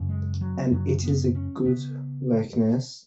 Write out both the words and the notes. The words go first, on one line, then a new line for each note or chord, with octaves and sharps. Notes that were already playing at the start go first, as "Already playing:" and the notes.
And it is a good likeness?
Already playing: F#2 C#3
G#3
F#3
F#2 C#3 F#3
B3
C#4
C#3 B3